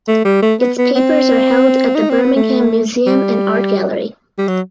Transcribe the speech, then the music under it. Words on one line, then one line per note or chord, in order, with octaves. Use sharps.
Its papers are held at the Birmingham Museum and Art Gallery.
A3
G3
A3
B3
B3
C4
D#4
C4
B3
A3
G3
G3
F#3